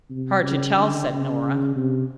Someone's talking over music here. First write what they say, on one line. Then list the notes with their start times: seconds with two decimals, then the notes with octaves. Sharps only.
"Hard to tell," said Nora.
0.10 C3
0.43 C#3
0.76 D3
1.10 C#3
1.76 C3